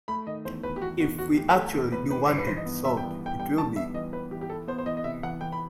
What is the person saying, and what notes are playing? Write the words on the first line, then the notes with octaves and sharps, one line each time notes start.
If we actually do want it solved, it will be.
A3 B5
D#3 D#5
E2 C5
E2 B4
G4
E2 F#4
E2 F#4
E2 F#4
A3 G4
A4
A3 G4
E2 A4
E2 B4
D#3 B4
G2 C5
B4
E3 C5
D#5
B3
G3 E5
G5
E3
B3
G5
G3 G5
E3 A5
B3 E5
E3 D#5
B3 B4
E3 G4
G4
E4 A4
B3 C5
C5
E3 D#5
D#5
C3 E5
E3 F#5
E3 G5
B5